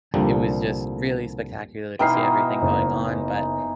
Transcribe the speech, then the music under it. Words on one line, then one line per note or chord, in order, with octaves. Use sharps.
it was just really spectacular to see everything going on, but.
C2 A#2 D3 F3 G3
B2 E3 D#4 G5 F6 C7
F#1